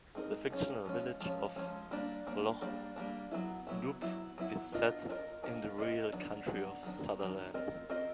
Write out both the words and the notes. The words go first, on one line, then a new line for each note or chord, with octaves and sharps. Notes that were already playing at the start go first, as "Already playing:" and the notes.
The fictional village of Lochdubh is set in the real county of Sutherland.
G#3 C4 D#4 F#4 A#4
F3 G#3 C#4
F3 G#3 C#4
F3 G#3 C#4
F3 G#3 C#4
G3 A#3 D4
G3 A#3 D4
G3 A#3 D4
G3 A#3 D4
F#3 B3 E4
F#3 B3 E4
F#3 B3 E4
F#3 B3 E4
B3 D4 F4 A#4 D#5
B3 D4 F4 A#4 D#5
B3 D4 F4 A#4 D#5
B3 D4 F4 A#4 D#5
D#3 F#3 B3 D4
D#3 F#3 B3 D4
D#3 F#3 B3 D4
D#3 F#3 B3 D4
C4 F4 A#4 D#5
C4 F4 A#4 D#5